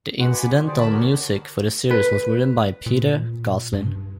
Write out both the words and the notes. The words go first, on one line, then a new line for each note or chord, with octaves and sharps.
The incidental music for the series was written by Peter Goslin.
G#3 F#4 B4 F#5
G#5 B5 D6
D3 C4
G4 G#4 C5 D5
F#4 A#4 A5 B5
F#4 G4 C#5
B4
A#2
G2